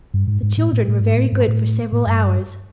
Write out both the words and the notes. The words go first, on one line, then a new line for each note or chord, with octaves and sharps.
The children were very good for several hours.
G2
G#2
G#2
A2
A2
A2
G#2
A2
G#2
A2
A2
G2